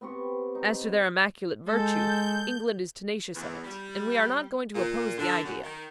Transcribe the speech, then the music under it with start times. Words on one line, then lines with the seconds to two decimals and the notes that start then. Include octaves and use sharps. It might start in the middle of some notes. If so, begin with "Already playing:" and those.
As to their immaculate virtue, England is tenacious of it, and we are not going to oppose the idea.
0.01 B3 C4 G4 C#6
0.55 D#4
1.66 G#3 A4 G6
3.35 E2
3.64 G3
4.75 A#2
5.18 D3
5.44 F#2
5.64 D#3